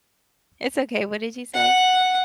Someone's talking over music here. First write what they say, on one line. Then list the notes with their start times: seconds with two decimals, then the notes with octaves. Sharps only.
it's okay, what did you say?
1.54 F#5